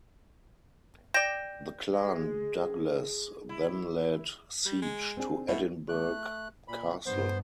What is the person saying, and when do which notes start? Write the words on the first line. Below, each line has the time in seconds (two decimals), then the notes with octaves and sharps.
The Clan Douglas then laid siege to Edinburgh Castle.
1.14 D5 G5 G6 A#6 E7
1.93 G#3
3.49 E4
4.66 G3
4.82 G#3
5.17 C4 D4 G#4
5.49 B2 A3 E4
5.89 A3 F#6
6.68 A#2 B5
7.06 G2 B3 C5